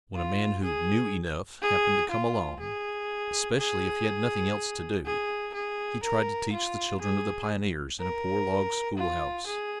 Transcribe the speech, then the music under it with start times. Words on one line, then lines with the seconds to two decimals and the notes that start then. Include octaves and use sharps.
When a man who "knew enough" happened to come along, especially if he had nothing else to do, he tried to teach the children of the pioneers in a poor log schoolhouse.
0.15 F4
0.64 G#4
1.62 G#4
2.11 F4
2.60 G#4
3.59 G#4
5.06 G#4
5.54 G#4
6.04 A#4
6.53 F4
7.01 G#4
8.00 A#4
8.98 F4
9.47 G#4